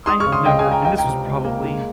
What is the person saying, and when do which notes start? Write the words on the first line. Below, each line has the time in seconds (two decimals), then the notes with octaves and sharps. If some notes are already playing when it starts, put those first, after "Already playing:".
I have never, and this was probably
0.06 G#3 C6 D#6
0.20 C#6 F6
0.26 C#3
0.32 C6 D#6
0.45 C#2 D#5 G5
0.59 F5 G#5
0.66 C#2
0.71 G5 A#5
0.85 C#2 D#5 G5
0.98 G5 A#5
1.04 C3
1.25 C#2
1.44 A#3
1.64 G#3